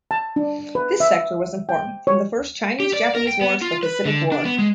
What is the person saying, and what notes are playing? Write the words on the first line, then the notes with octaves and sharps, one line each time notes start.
This sector was important from the First Chinese-Japanese war to the Pacific War.
A5
D4
B4
E5
G5
C#5
G4
D5
A#4
G5
B3
F4
B4
D3
D4
B3
G#3